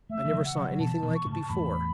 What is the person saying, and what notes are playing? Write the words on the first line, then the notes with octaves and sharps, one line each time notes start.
I never saw anything like it before.
A3 E5
E3 A3
C#3 F#3
F#5
C#3 F#3
F#3
B2 E3 A5
A5
B2 E3
C#6
A2 C#3
A5
A5
E2 A2 B5